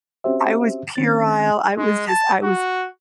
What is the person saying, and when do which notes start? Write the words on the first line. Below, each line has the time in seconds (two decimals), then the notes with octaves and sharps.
I was puerile. I was just I was
0.24 C4 C#4 F#4 G4 C5 E5
0.96 D#3 C4 C#4 A6
1.78 G#3
2.08 A5
2.43 F#4